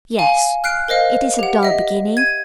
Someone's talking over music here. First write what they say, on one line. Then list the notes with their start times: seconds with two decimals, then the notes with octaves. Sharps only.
'Yes, it is a dull beginning.
0.19 F5 G#5
0.64 F6 F#6 C7 D7
0.88 A#4 C5 D#5 F5
1.39 G4 F#5
1.63 D#5 E5
2.17 G#6 D#7